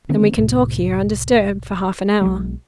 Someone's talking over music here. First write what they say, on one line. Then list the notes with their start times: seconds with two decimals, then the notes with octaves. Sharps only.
"Then we can talk here undisturbed for half an hour?"
0.09 D3 D#3 A#3 C4
0.37 C2 A2 C3
2.21 B1 F#3 G#3